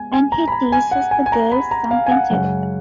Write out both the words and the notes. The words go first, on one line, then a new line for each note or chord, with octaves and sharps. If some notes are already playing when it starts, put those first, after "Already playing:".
And he teases the girls something terrible.
Already playing: G#3 B3 G#5
G#5
A#5
B5
A#5
G#5
F#5
G#5
G#5
A#5
B5
A#5
F5
G#5
F#5
F#2 C#3 G#3 C#4 F#5